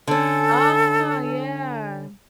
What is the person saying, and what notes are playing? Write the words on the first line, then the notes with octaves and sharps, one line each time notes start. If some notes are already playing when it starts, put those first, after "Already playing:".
Oh, yeah.
D3 C#4 A4